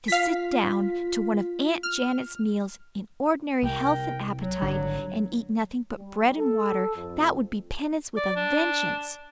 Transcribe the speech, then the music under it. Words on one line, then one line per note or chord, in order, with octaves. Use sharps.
To sit down to one of Aunt Janet's meals, in ordinary health and appetite, and eat nothing but bread and water--that would be penance with a vengeance!
F4 F5 B6
F6
C2 A#4 G5
F#3
G#1 D3
G3
A4
F2
D5
D4